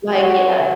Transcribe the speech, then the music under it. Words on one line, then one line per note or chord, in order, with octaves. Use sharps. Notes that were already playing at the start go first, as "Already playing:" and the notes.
like yeah.
F#3